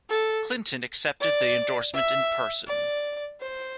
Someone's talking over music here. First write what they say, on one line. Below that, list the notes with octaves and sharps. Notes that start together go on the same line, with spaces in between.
Clinton accepted the endorsement in person.
A4
D5
E5
D5
C5